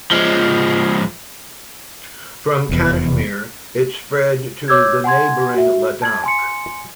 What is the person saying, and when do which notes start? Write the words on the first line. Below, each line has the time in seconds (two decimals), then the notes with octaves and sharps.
From Kashmir, it spread to the neighbouring Ladakh.
0.11 F3 G#3
2.69 F1 E2
4.68 C#5 D6 E6 G6 G#6
5.04 F#5 G#5 C6 G#6
5.54 F#4 E5
6.02 A5 G#6 F#7
6.24 G#5 C6 C#7